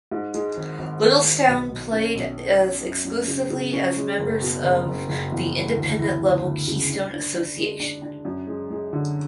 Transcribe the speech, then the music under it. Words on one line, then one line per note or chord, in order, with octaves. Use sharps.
Littlestown played as exclusively as members of the Independent level Keystone Association.
G#2
G#3
G#1
G#1
G#1
G#3
B1
B1
C#4
B1
C#4
C#4
F#2
F#2
C#3
C#3
C#4
G#3
F#1
B2
F#1
F#1
F#1
E2
E3
D2
E3
D2
D2
C#3
D4
D4
D4
G#3
D4
D4
F#2
G#3
G#3
D3